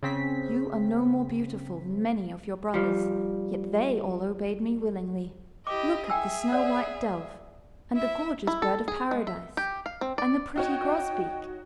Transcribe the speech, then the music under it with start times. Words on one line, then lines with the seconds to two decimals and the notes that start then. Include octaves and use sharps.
You are no more beautiful than many of your brothers, yet they all obeyed me willingly. Look at the snow-white Dove, and the gorgeous Bird of Paradise, and the pretty Grosbeak.
0.03 C#3 C4 B6
2.74 F3 G3
5.67 E4 G4 D#5 D6
6.10 G#4 E5 G5 G#5 E6
6.52 C#5 D5 F#5
7.93 E4 E5
8.47 E4
8.62 A4
8.88 G#4
9.11 G#3
9.27 E5
9.57 G4
9.86 F5
10.01 C4
10.18 D5
10.56 D#4 F#4 C#5 G5